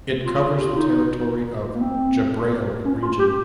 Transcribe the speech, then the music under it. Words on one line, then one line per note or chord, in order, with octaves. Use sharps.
It covers the territory of Jabrayil region.
F4
G4
F4
D#4
A#3
C4
C#4
F4
G4